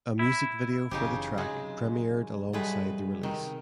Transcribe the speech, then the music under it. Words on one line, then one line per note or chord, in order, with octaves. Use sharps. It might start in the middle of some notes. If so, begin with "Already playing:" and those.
A music video for the track premiered alongside the release.
E4
F#1 C#3 E3 D#4 G4
C3 F#3 G#3
A2 G3 G#3 B4
C3 D#3